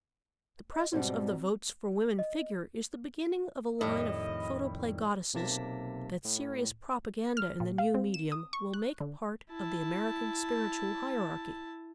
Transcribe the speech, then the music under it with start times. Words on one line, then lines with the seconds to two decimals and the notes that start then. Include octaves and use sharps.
The presence of the "Votes for Women" figure is the beginning of a line of photoplay goddesses that serious propaganda in the new medium will make part of the American Spiritual Hierarchy.
0.73 D#5
0.93 G#2 B2 G3 C4
2.19 D#5
3.81 F2 A2 D#3 G3 E4 D#5
5.34 B1 C3 A#3 A5 A#6 B6
6.25 A2
7.37 F6
7.60 A#2
7.78 F5
7.94 C4
8.14 E7
8.32 D#6
8.53 C#6
8.74 F#6
9.00 D3
9.51 E4 A5